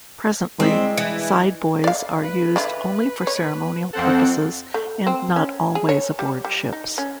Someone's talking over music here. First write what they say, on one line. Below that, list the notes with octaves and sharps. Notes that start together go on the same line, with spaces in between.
Presently, Sideboys are used only for ceremonial purposes and not always aboard ships.
G#3 C4 D4 E4
E3
D5 F5
B4
D3 E4 F4
C#5
F2 C4 A4 F#5
A3
C4
C#4
G#4
C#5
G3
G3
D#4
C#4